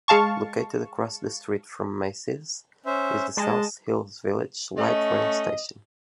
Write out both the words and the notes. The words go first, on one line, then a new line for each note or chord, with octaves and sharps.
Located across the street from Macy's is the South Hills Village light rail station.
G#3 F5 A5 C#6
C#4 C5 E5
G#3 D#5 A5
A3 C#4 D#5